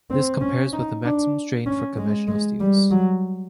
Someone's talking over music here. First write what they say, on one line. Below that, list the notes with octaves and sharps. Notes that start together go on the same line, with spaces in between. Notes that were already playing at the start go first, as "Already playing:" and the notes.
This compares with a maximum strain for conventional steels.
C4
C#4
D#4
D4
C#4
G#3
G#3
G3
F#3